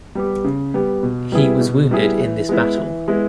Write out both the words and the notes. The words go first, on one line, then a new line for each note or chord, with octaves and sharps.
He was wounded in this battle.
G3 B3 G4
C#3
G3 B3 G4
B2
G3 B3 E4 G#4
B2
G3 B3 E4 G#4
E3
G#3 B3 E4
E3
G#3 B3 E4